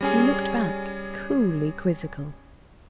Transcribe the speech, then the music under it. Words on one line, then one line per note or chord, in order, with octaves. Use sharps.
He looked back, coolly quizzical.
G3 C#4 G#4